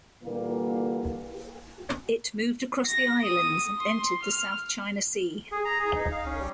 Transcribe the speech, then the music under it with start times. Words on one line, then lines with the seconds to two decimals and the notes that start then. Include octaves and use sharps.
It moved across the islands and entered the South China Sea.
0.24 A#2 D3 E3 G3 A#3
2.85 A#6
3.24 D#6
3.79 C6
4.23 F6
5.52 G#4
5.65 A#5
5.79 G#4
5.95 D#4
6.11 F5
6.26 C#4
6.40 G3